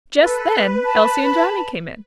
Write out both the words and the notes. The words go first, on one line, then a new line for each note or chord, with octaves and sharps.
Just then Elsie and Johnnie came in.
A4 B4
A5 B5